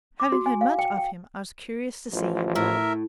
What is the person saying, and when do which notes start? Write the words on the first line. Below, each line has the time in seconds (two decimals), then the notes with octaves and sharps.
Having heard much of him, I was curious to see him.
0.20 D6
0.32 F#4
0.46 G#5
0.61 F5
0.79 G5
0.97 G5
2.13 A1 F3
2.55 A2 A#4 E5